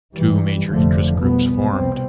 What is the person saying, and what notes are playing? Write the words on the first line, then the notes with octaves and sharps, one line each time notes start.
Two major interest groups formed.
G2 E3 G3
F1 F2 D3 F3 A3
C2 B2 B3
C2 B2 G3 C4